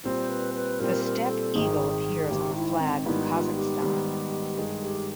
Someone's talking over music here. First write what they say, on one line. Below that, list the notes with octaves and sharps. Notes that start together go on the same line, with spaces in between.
The Steppe Eagle appears on the flag of Kazakhstan.
A#2 G3 C4 C5
B4
B4
A#2 G3 C4 A#4
A#4
A#4
A4
G#1 G#2 D#3 G#4
G#1 G#2 D#3 G4
E4
C4
G#2 D#3 G3 B3 E4
E4
F4
G4
G#2 D#3 G3 B3
G2 D#3 G#3
G4